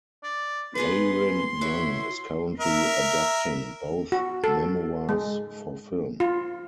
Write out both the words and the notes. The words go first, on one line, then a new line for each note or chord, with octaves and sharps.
Leiren-Young is currently adapting both memoirs for film.
D5
B3 G#4 B4 C6
E4 F#4 C#5
A#4 E5
F#4
A4
G#3
F4